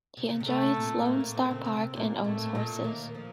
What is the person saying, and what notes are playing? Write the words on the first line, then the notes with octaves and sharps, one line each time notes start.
He enjoys Lone Star Park and owns horses.
C3
C#3
C3
A3
A#2
A2 A#3
A2
A#2 C4
C#3
C3
A#2 A#3
A2 A3
A2
A#2
D#2 D#3 A#3
F3